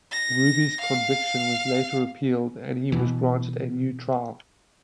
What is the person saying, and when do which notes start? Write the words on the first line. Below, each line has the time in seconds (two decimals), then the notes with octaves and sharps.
Ruby's conviction was later appealed and he was granted a new trial.
0.11 A#6
0.81 F5
2.92 B2 E3